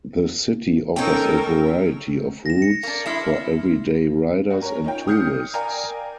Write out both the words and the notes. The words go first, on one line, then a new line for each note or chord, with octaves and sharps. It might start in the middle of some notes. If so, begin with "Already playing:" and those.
The city offers a variety of routes for everyday riders and tourists.
C#4 D#4 A4 A#4 G5
A#6 E7
C#7
A#3 D4
G#3 E4 C6 F6 E7
G2 F#4
C#4 A#4
C#4 D#4 F4 G5
D#6 F6 G6 C7 C#7
A#4 D5 F5 G5 G#5 A#5